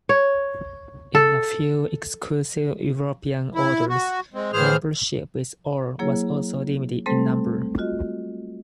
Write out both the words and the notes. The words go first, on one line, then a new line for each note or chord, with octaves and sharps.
In a few exclusive European orders, membership is or was also limited in number.
C#5
A4
E4
F#4
G#3 C4
A2 E3 G#4 C5 F6
F#3 A#3 E4 G#4 C#5
G3 A3 C4 A4 C5
F4 F#4 D#5